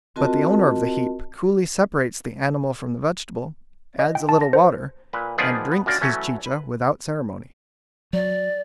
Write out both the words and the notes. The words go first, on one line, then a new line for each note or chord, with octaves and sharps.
But the owner of the heap coolly separates the animal from the vegetable, adds a little water, and drinks his chicha without ceremony.
C4 F4 F#4 A#4 D#5 A5
D#5
G5
A5
A#6
C5
A#2 B4
D#3 F3 B3 F4 G#4 D5
B3
F#2 A#3 D4 A#4 D5
E3 F#3 A3 C#4
B4
F#3 D5